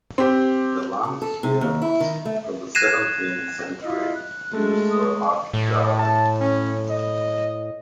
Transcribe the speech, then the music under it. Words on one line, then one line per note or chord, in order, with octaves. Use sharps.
The land here was, from the seventeenth century, used for a market garden.
C4 G4
C#3
A4
C3
D#2
E4
D#3
A3
F#6 G#6 A#6 C7 D#7 E7
E4 F4 D#5
F#6
G#3 A3
D#6
A2
A5
C#4
D#5